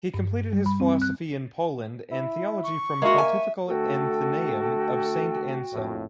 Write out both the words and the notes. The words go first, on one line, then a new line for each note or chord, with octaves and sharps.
He completed his philosophy in Poland and Theology from Pontifical Athenaeum of Saint Anselm.
G2
G3
B5
C4
F#6
E4
C#6
G#3 A#3 F#4 E5
G#5
D3 A3 F#4 A4 G5
A#1 F2 A2